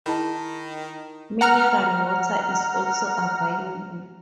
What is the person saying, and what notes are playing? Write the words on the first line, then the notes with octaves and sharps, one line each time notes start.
Mineral water is also available.
D#3 E4 G#4 D#5 A5 B5
F#5 A#5 F6